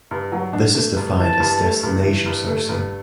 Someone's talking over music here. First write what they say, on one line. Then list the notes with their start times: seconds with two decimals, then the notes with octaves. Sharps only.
This is defined as "destination" sourcing.
0.11 G2
0.32 F#3
0.53 D4
0.74 A3
0.96 G2
1.18 E3 A5
1.40 G2
1.61 A3
1.83 G2
2.04 E3
2.26 G2
2.47 A3
2.69 G2